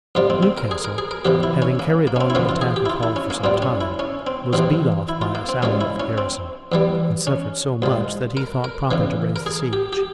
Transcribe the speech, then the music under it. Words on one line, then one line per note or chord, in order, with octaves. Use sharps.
Newcastle, having carried on the attack of Hull for some time, was beat off by a sally of the garrison, and suffered so much that he thought proper to raise the siege.
F2 C3 G3 F4
C4
C4
A#4
G#4
A#4
G#4
A#4
E2 C3 E3 G4
E4
C#4
A#3
A#3
C#4
C4
E4
F2 C#3 E3 C#4
F4
G#4
G4
E4
F4
E4
C#4
A#3
C2 A#2 G3 C4
C#4
E4
C#4
C4
E2 C3 E3 C4
E4
F4
A#3
C4
C2 A#2 G#3 C#4
E4
C#4
C4
E2 E3 G3
C#4
C2 A#2 G#3
A#4
A#4
E2 C#3 E3
A#4
G#4
G4
G4